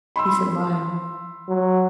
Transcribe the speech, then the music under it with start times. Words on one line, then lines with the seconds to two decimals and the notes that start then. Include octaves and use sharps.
Peace of mind.
0.16 B5 C6 E6
1.49 F#3